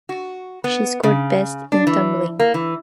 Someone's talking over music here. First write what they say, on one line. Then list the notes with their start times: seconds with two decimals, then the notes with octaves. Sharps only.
She scored best in tumbling.
0.09 F#4
0.64 B3
1.03 C#3
1.72 D4
1.87 E3
2.40 A#3
2.54 E3